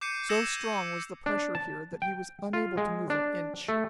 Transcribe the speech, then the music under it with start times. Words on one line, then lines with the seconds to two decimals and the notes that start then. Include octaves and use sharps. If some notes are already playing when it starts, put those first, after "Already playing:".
So strong was the pressure here that he was unable to move an inch.
0.01 D6 G6 C7 C#7 D#7
0.29 E6 G#6 A#6 C#7 E7 F7
1.26 D4
1.55 A5
2.02 G5
2.53 F4
2.77 G#3
3.10 D4
3.69 A3